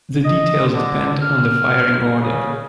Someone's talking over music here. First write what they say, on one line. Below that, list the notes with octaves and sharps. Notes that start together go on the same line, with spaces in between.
The details depend on the firing order.
D#5
D3
F6
C#3